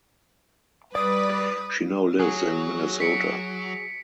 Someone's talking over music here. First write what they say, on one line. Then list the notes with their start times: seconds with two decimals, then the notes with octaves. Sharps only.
She now lives in Minnesota.
0.95 G3 B4 D5 D#6
2.19 F#3 F#4 G#4
3.00 B6 C#7 D7